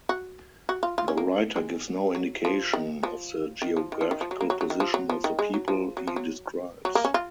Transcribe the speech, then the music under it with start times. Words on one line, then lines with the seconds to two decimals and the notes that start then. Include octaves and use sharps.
The writer gives no indication of the geographical position of the people he describes.
0.09 F#4
0.69 F#4
0.83 F4
0.98 F4
1.08 C#4
1.17 A#3
1.56 G#3
2.15 F#3
2.45 F3
2.73 D#3
3.03 F3
3.62 D#3
3.77 F3
3.92 D#3
4.01 F3
4.11 D#3
4.21 F3
4.31 F#3
4.41 A#3
4.50 F#3
4.61 F#3
4.70 D#3
4.80 F3
4.94 F#3
5.09 F3
5.24 D#3
5.39 G#3
5.54 F#3
5.68 F3
5.97 F#3
6.07 F3
6.16 F#3
6.85 F#3
6.95 A#3
7.05 C#4
7.14 F4